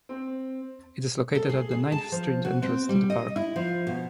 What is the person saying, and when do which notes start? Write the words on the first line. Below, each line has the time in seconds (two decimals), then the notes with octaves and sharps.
It is located at the Ninth Street entrance to the park.
0.09 C4
1.35 A4
1.50 G#4
1.71 G#4
1.92 A5
2.12 F3
2.45 F#4
2.62 C4
2.89 G3
3.10 D#5
3.36 E4
3.56 F3
3.87 B2